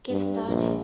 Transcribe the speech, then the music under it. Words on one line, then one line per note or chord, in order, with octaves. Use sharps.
Get Started!
G2
A#1